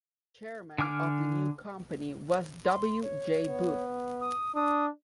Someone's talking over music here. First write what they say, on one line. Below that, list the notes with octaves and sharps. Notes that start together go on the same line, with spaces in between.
Chairman of the new company was W J Booth.
D3 G#5 D6 F6
C6
C#5
B3
D#6
D4 D#6